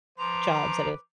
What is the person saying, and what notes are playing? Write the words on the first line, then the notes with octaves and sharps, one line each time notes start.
jobs that have
F3 B4 A#5 C6 D6